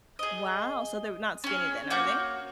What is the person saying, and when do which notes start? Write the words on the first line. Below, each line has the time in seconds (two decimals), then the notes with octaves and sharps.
Wow, so, they're not skinny then, are they?
0.19 G#4 D#5
1.44 C#4 G#4
1.90 A#3 F#4 C#5 G6